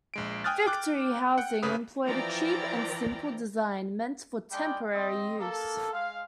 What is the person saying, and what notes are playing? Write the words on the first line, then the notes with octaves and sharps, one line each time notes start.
Victory Housing employed a cheap and simple design meant for temporary use.
A#1 G#3 D7
G5 G#5 D#6 F6 F#6 A6
G5 D6 F#6
F#5 G5
G1 C#3 A#3 B4 D#6
E3 F3 D5 G5 A#5
G3 G#3 D4 D5 G5
C4 D#5
A#3 A4
G#3 F5